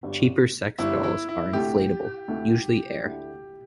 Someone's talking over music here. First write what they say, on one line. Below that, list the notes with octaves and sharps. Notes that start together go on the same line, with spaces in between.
Cheaper sex dolls are inflatable, using air.
G1 G2 G3
G1 G2 G3 E4
E4
E4
D2 C3 A3 E4 G4
D2 C3 A3 E4
D2 D3 A3 E4